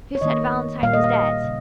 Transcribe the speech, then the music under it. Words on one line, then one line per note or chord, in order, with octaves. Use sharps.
"Who said Valentine was dead?"
C#5
D#3 A#3 D#5
A#2 G3 A#3 F5
D#5
F5
D#5
C#3